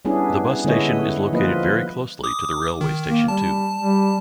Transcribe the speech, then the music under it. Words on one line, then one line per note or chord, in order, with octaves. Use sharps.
The bus station is located very closely to the railway station too.
G3 B3 C#4 D4 E4 G#4
D3 G#3 B3 E4 C#5 D#5
F3 A#3 F4 B4 D#5
D6 D#6
D#3
A#3
G3 A5
G3